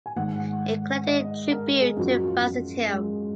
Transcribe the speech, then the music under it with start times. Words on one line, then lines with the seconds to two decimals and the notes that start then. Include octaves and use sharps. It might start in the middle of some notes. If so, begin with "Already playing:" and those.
He collected tribute to Byzantium.
0.06 G#5
0.16 G#2 D#3 F#5
1.08 D#5
1.51 A#4
1.67 A#4
1.82 G#4
1.97 F#2 F3 F#4
2.12 F#4
2.27 F4
2.87 G#3